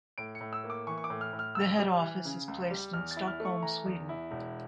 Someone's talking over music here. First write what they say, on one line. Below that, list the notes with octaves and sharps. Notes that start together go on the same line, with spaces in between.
The head office is placed in Stockholm, Sweden.
A2 D7
C#7
A2
E6
A#3
D6
E3 C#6
C#6
D6
A2
F6
A2
F6
C#2 E6
G3
E3
C#3
C#2
G3
E2 F6
A6
E4
F6
A3
C#6
E3 A#5
E2
E4
E1